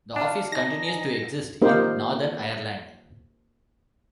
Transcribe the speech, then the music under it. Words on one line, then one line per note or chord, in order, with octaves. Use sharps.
The office continues to exist in Northern Ireland.
D4 F5
D#4 G#5 A#6
A#3 D#4 G4 C5